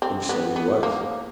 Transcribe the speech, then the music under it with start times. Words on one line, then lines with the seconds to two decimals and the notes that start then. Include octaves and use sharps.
And so he was.
0.02 C4
0.29 B3
0.56 B3
0.83 A#3